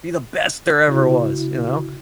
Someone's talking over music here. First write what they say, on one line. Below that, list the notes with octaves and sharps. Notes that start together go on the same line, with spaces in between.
Be the best there ever was, you know?
C#3 E4 F#4